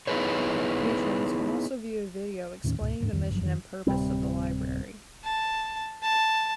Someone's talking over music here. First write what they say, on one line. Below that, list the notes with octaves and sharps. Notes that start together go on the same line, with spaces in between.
Patrons can also view a video explaining the mission and purpose of the Library.
B3 D#4 E4 G#4 B4 C#5
D#2 A2 D#3 C#4
C#2 G#2 B2
D1 G#2 D4
D1 F2 D#3
G1 G2 F3 F#3
F2 D#3
D1 C3 G3 C4
A5
A5